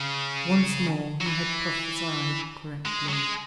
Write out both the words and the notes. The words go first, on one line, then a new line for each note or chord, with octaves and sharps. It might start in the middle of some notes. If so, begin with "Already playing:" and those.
Once more he had prophesied correctly.
Already playing: C#3
F#3
E3
G#3
F#3
G#3